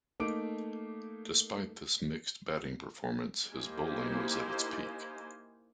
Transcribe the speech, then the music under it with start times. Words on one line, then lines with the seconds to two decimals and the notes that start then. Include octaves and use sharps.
Despite this mixed batting performance, his bowling was at its peak.
0.20 A3 A#3 D#4 D6 D7
3.53 A#3 D#4 E4 G4 C5 G#5